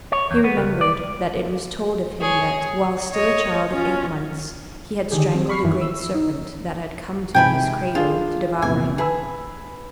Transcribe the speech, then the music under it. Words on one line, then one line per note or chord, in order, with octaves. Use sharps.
He remembered that it was told of him that, while still a child of eight months, he had strangled a great serpent that had come to his cradle to devour him.
C#5
E2
B3
C#2
D5
G#4 C#5
C#5 D#5
C#4 F4
D3 D#3 G4 G#4
C4
B5 C#6 F6 C7
F#2 D#3 E3
E6
D#4
G#2 C3 G5 G#5 B5
D4 F4 G#4
A#1 E2 C3 G#5
G#4 B4 B5 E6